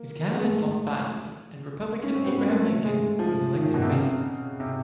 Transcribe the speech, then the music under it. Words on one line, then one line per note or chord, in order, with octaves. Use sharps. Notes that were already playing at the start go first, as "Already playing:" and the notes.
His candidates lost badly, and Republican Abraham Lincoln was elected president.
Already playing: A#3
G#3
A3
C#4
C4
B3
A#3
A3
G#3
F3
D#3
B2
C3
C#3
C3